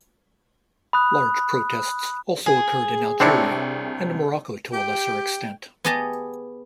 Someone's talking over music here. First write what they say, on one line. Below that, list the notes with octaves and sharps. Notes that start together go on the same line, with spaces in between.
Large protests also occurred in Algeria and Morocco to a lesser extent.
B5 D#6 F#6
G#4
C2 C4 D4 E4 C#5 C#7
G4 G5
B3 G4 G#4 D#5 A5